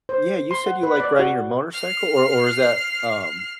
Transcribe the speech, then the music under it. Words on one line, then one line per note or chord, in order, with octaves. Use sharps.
Yeah, you said you, like, riding your motorcycle, or or is that um
C5
C6
F#5
B4
D5
F#4
F6 C7